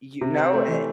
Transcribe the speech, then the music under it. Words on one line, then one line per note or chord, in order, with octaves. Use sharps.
You know it.
C3
C4
A3
E3